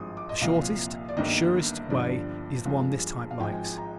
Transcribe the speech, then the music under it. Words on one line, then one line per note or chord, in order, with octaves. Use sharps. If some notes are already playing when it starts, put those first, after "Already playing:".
The shortest, surest way is the one this type likes.
Already playing: G#1 G2 F3 G#3 C6 D#6
D6
D#5
C2 A#2 F3 F5
D5
G1 G2 D#3 A#3 D#5
G2 D3 F3 D5
G2 F3 G#3 F5
F5
G#1 G#2 F3 G#3 G5
G#5
G#5
A#5